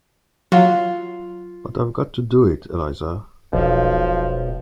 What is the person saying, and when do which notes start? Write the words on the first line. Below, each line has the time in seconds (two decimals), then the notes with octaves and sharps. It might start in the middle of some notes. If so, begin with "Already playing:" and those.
But I’ve got to do it, Eliza.
0.52 F#3 F4
3.53 E1 B1 F3 B3